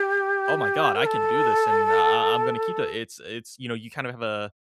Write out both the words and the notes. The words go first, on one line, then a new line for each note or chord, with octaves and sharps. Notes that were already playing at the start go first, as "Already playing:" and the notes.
"Oh my God, I can do this and I I I'm gonna keep it." It's it's, you know, you kinda have a
Already playing: G4
A#4
A4